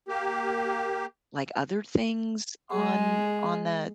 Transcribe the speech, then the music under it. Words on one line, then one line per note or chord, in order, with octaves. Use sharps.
like other things on on that
A#3 G4
G#3 G#4